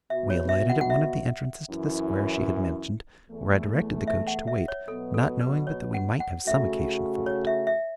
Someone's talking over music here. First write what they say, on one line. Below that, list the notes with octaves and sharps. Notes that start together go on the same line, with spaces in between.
We alighted at one of the entrances to the Square she had mentioned, where I directed the coach to wait, not knowing but that we might have some occasion for it.
B2 B3 F#4 E5
C#5
E5
F#5
F#5
E5
F#2 E3 C#4 E4
E2 E3 A3
E5
F#5
E5
C#5
B2 F#3 B3 A4
A4
B4
C#5
F#5
F#5
C#3 A3 F#4 E5
C#5
E5
E5